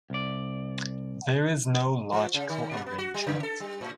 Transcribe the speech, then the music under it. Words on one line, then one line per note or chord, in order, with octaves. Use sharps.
There is no logical arrangement.
C2 D5
F3
C#3
D#3
A#2
B3
F#4
G3
C#3
A4
G3
A2